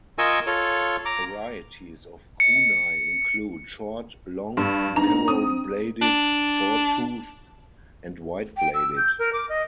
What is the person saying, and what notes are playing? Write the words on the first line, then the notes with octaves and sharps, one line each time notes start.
Varieties of kunai include short, long, narrow-bladed, saw-toothed, and wide-bladed.
F4 A#4 D#5 G#5 C#6 E6
F4 A4 C#5
A#5 D6
C#7
G2
G#2 B3 D4 D#4 A#5
C4 D#6
D4
G5
E6
G6
A#4
D6
D#5